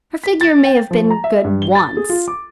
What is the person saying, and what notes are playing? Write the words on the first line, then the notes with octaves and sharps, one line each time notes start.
"Her figure may have been good once."
B6
A6
G5
F3
A#5
E5
G2
G7
A6
G#4
F4
D6